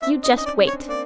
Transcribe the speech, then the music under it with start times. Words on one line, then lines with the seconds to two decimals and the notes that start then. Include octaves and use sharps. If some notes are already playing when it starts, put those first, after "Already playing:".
"You just wait!"
0.02 C4 D4 E5
0.24 D#5
0.30 C#4 D#4
0.37 D#5
0.45 D5
0.60 C4 D4
0.67 C#5
0.88 A#3 C4 D5